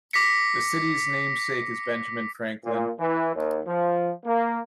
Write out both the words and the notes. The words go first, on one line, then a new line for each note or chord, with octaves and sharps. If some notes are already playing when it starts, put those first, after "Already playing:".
The city's namesake is Benjamin Franklin.
D6 A#6 B6 C#7
A#2
E3
D#2
F3
A#3